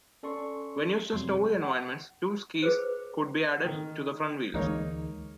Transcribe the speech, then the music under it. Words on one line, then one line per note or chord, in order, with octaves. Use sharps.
When used in snowy environments two skis could be added to the front wheels.
C#4 A4 D5 C6 C#6
F2 C3 F#3 C#5 C6
F#5
G#4 B4 C5
D#3
D2 E3 G#3 A#3 D#4 C#5